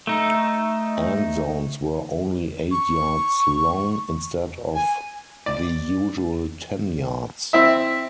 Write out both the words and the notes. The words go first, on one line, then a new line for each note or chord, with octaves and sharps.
End zones were only eight yards long instead of the usual ten yards.
A3 D#4
C#6
G#5
D5
C4 E4 E5